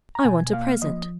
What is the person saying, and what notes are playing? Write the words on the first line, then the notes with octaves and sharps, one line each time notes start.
I want a present.'
A#5
B2 G#5
A#3 F5
F3 D#5